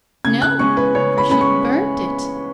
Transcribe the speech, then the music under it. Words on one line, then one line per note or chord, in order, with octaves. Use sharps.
'No! for she'd burnt it.'
C#3 G#6
F#6
G#3 C#4 C#6
B4
C#3 C#5
B5
G#3 C#4 B5
C#6